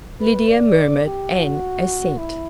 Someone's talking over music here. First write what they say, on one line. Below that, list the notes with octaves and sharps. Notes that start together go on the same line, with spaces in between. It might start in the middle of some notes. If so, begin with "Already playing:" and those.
Lydia murmured an assent.
B4
D5
G4
F#4
E4